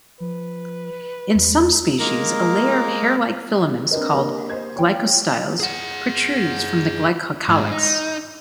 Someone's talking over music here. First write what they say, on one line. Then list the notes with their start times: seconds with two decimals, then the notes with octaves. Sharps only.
In some species, a layer of hair-like filaments called glycostyles protrudes from the glycocalyx.
0.20 F3 B4
1.35 E2
1.99 G#3 A#3 A#4
3.91 C4 D4 A#4 B4 D#5
4.14 A#3 G4
4.50 C5 D#5 G#6
4.76 C#5 G5
5.60 G#4 F#5
7.49 G#2
7.71 D#4